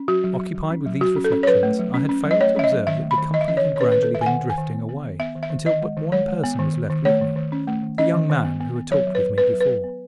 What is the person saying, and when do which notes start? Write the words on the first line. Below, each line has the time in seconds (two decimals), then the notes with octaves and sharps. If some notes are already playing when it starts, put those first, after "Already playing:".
Occupied with these reflections, I had failed to observe that the company had gradually been drifting away until but one person was left with me--the young man who had talked with me before.
Already playing: C#4
0.08 F#3 F#4
0.24 F#3
0.39 F#3
0.55 F#3
0.70 C#4
0.86 F#3
1.01 F#3 F#4
1.16 C#4
1.25 A4
1.32 C#4
1.43 C#5
1.47 F#3 B4
1.63 A3
1.79 F#3
1.94 C#4
2.09 C#4
2.25 F#3
2.31 D#5
2.40 A3 C#5
2.57 C#4 E5
2.64 D#5
2.71 F#3
2.87 D#3 E5
3.03 A3
3.11 B5
3.18 D#3
3.34 D#3 D#5
3.41 E5
3.48 C#4 D#5
3.57 C#5
3.64 D#3
3.76 C#5
3.80 C#4 B4
3.92 B4
3.95 D#3
4.03 A4
4.11 D#3 E5
4.21 G#5
4.26 D#3 F#5
4.42 D#3
4.50 G#5
4.58 D#3
4.73 B3
4.89 B3
5.04 D#3
5.19 B3 E5
5.35 D#3
5.43 E5
5.50 D#3
5.66 D#3 D#5
5.82 G#3
5.97 D#3
6.12 G#3 C#5
6.28 G#3
6.44 B3
6.59 D#3
6.74 D#3
6.90 D#3
7.05 A3 C#5
7.21 D#3
7.36 D#3
7.52 C#4
7.67 A3
7.83 D#3
7.98 C#4 D#5
8.14 D#3
8.29 D#3
8.45 B3
8.60 B3
8.76 B3
8.91 F#3 C#5
9.07 F#3
9.15 B4
9.22 F#3
9.38 B3 B4
9.53 F#3
9.61 B4
9.69 F#3
9.84 B3